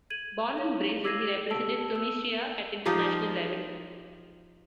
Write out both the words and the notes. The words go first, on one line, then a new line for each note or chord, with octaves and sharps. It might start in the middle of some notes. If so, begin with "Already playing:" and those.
Born in Brazil, he represented Tunisia at international level.
G#6 D#7 F#7
D#4 E4 C#5 F5
D6 E6 G#6 A#6 C7 D#7
G4 A5 E6 D7
E6
F3 D#4 F4 G4